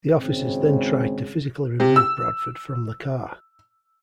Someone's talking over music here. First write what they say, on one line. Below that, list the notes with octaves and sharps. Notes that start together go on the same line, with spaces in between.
The officers then tried to physically remove Bradford from the car.
G#1 C#3 G#3 C4
C3
E6